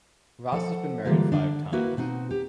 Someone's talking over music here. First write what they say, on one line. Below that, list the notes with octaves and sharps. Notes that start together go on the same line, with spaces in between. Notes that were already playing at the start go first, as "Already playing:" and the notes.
Ross has been married five times.
F3 A4 F#5
D3 E3 G3 G#3 A#3 F4
D3 D4
A#3 E4 F#4 A#4 B4
B2 C4 D#4 F#4
G4